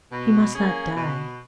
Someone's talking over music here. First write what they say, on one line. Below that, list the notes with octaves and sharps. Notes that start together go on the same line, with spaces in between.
He must not die.
B2
A#3 C#4 G#4
B2